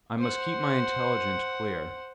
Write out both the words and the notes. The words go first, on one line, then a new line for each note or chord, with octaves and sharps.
I must keep my intelligence clear.
C5 F#5